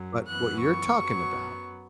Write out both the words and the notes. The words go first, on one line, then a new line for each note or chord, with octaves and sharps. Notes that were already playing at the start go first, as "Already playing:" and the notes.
but what you're talking about
Already playing: F#2 F#3
F#2 E3 B3 F#6
C#6
F#2 F#3 B3